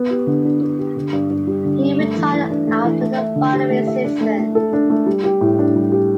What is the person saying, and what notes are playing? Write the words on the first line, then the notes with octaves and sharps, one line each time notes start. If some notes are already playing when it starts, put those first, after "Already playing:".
He retired after the following season.
Already playing: B3
G4
D3
D4
B3
G4
D3
G2
G2
G3
D3
G2
A3
E3
E3
D4
A3
E3
A3
E5
D3
G4
A3
E5
D4
A3
A3
A4
D4
A3
G3
G4
A2
D4
G3
G4